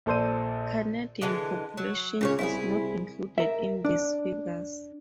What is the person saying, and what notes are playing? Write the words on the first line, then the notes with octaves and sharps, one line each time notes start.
Canadian population is not included in these figures.
A#1 A4 C5 D5 D#7
D3 E3 G#3
F#3
C#2 A#2 C#3 C#5
C2 E4 F4 G#4
A#4 E5
D4